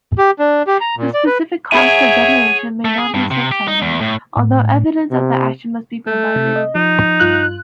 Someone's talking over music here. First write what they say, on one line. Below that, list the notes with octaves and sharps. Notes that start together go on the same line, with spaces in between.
The specific costs of demolition may not be subsidized, although evidence of the action must be provided.
G4
D4
G4
A#5
A#2
D5
B4
G#4 C#5 E5 F#5 G#5
A3
G#4
G2
C3
G4
D#4
E2
A2
A2
C3
A3
C3
D#5
F3 D#4
G2 F4 F#6